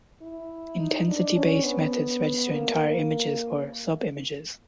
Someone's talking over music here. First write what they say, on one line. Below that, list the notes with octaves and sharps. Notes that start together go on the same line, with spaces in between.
Intensity-based methods register entire images or sub-images.
E4
D#4
D4
C#4
B3
A#3